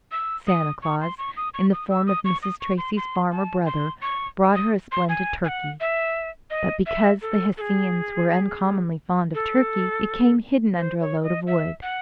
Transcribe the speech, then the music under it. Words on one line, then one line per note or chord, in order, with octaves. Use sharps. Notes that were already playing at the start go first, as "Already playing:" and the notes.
Santa Claus, in the form of Mrs. Tracy's farmer brother, brought her a splendid turkey; but because the Hessians were uncommonly fond of turkey, it came hidden under a load of wood.
E6
D#6
C#6
C6
C#6
D#6
C#6
D#6
E6
D#6
C#6
D#6
C#6
C6
C6
A5
C6
C#6
D#6
C6
G#5
G#5
F#5
E5
D#5
E5
A4
A4
G#4
A4
C5
C#5
D#5
E5
F#5